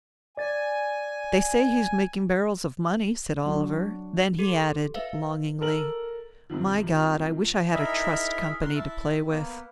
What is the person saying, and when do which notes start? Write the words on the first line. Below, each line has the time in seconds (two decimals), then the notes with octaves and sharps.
"They say he's making barrels of money," said Oliver; then he added, longingly, "My God, I wish I had a trust company to play with!"
0.37 D5 G#5 A6
3.45 F#3 D4 F#4
4.39 G4 A4
4.94 B4 E5 F5
5.61 A4 A#4 F#7
6.50 G2 C3 D#3 F3
7.74 D#4 E4 G#4 A#4 E5 B5
8.61 F#4 A#4 C6
8.75 E4 E5 A5
9.29 A#3 B3